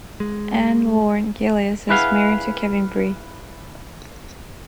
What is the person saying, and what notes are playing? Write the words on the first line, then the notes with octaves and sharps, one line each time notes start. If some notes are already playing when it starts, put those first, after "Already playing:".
Anne Lorne Gillies is married to Kevin Bree.
G#3
E4 G#4 B4 D5 F5 F#5